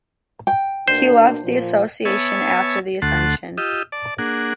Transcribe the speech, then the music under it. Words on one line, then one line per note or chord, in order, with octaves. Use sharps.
He left the association after the ascension.
G5
B2 A#3 D4 C5
A#2 F3
B3 C#5 E5 G#5 A5
D2 A3 F#5 A5 C6
F4 G4 D#5 E6
D5 A5
A#3 D4 G#4 F#5